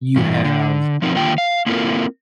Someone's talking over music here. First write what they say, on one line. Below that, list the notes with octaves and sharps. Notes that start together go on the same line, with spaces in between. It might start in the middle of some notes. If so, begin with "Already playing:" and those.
you have
G2 E3
D3
F3 C4 D#4 A#4
D3 D#3 A#3 F4 G5
F5
A#3 C4 E4 F4 A4 A#4